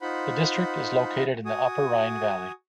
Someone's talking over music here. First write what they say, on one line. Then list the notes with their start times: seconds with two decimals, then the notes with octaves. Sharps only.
The district is located in the upper Rhine valley.
0.01 D#4 F4 C5 F#5 B5
1.45 F#4 G#5 D#6